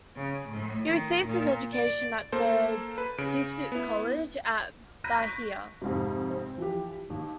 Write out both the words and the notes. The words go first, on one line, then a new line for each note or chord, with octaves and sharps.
He received his education at the Jesuit college at Bahia.
C#3
A2
D#3
A#2
D5
A#3 A4 C5
B4
C#3 D7
B3 E4
A#5 B5 G6 A#6 B6 D#7
C#6 F#6 B6 D7
F2 G#2 C3
C4
E3 F3 G4
D#2